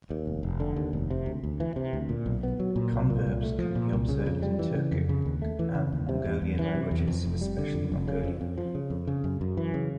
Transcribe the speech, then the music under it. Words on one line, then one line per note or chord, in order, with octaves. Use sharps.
Converbs can be observed in Turkic and Mongolian languages, especially Mongolian.
D#2
F1
F1
D3
D#2
F1
C3
D2
D2
E3
C3
D2
A#2
B1
B3
F#3
A#2
B1
A#2
C2
A3
F3
A#2
C2
C#3
F2
G3
E3
C#3
F2
C#3
D#2
A3
E3
C#3
D#2
C3
E2
E2
E3
C3
E2
F2
F1
G3
D3
F2
F1
C#3
F2
F2
F3
C#3
F2
C#3
F#2
F#2
E3
C#3